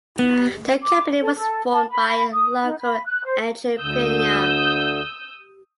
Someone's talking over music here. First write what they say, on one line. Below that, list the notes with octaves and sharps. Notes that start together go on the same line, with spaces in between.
The company was formed by a local entrepreneur.
B3
D6
A4
A4
A5
B5
B5
D#6
D#4
B5
F#6
C5
D2 D3 D#6 E6 G6